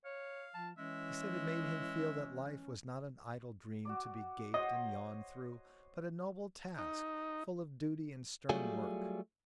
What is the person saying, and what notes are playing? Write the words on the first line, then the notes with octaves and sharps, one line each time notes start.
He said it made him feel that life was not an idle dream to be gaped and yawned through, but a noble task, full of duty and stern work.
C#5 F5
F3 A5
E3 G#3 C#4 E5
F#4 D5 D6
C5 C#5 D#5 F#5
D#4
F#3 G3 A3 F4 G#4